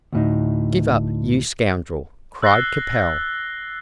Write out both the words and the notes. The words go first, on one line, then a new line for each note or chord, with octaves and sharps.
"Give up, you scoundrel!" cried Capel.
D2 A2 D#4
E6 F#6 A6 A#6 C7 G7